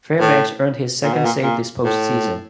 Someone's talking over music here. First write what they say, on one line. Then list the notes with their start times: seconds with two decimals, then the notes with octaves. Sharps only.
Fairbanks earned his second save this postseason.
0.20 A2
1.03 A#2
1.14 B2
1.25 A#2
1.43 A#2
1.85 A2